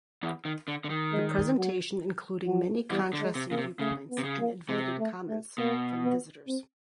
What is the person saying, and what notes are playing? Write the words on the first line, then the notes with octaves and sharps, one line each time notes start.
The presentation including many contrasting viewpoints and invited comments from visitors.
E2 E3
D#3
D3
D3
D#3
G#3
F#3
F#3
E2 E3 G3
D3
G#3
C3
C#3 A#3
C3
C#3 A3
B3
C3
C#3
A#3
C3 G#3
A3
A3
B2 A#3
B3
C4